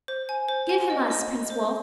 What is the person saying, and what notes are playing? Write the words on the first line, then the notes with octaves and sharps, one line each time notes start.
'Give him us, Prince Wulf!
C5
G#5
C5
G#5
D#5
D#5
D#5
C5